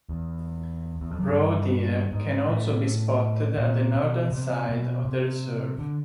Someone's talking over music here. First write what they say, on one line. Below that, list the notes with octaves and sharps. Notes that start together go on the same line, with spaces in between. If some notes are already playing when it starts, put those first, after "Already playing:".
Roe deer can also be spotted at the northern side of the reserve.
E2
E2
F2
F#2
G2
G#2
A2
A#2
B2
C3
B2
C3
D3